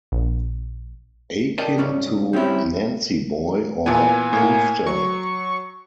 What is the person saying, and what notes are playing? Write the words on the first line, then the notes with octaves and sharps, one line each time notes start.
Akin to "nancyboy" or "poofter".
A#1
A#4 D5 D#5 G5 A5
C2 G#2 C#4 D5
G3 C4 C#4 E4 G4
A#2 E3 B3 G#5
A2 A#3
F#3 C#6